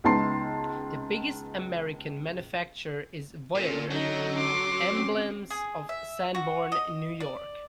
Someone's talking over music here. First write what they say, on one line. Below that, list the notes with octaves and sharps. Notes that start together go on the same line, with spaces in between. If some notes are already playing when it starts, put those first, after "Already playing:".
The biggest American manufacturer is Voyager Emblems of Sanborn, New York.
C#2 B3 D#4 A5 C6 C7
A#2 D3 C#4 A4
F#3 D#4 D#5
C6 D6
C4 C#4
G#4
E5
F#4
D#5
D5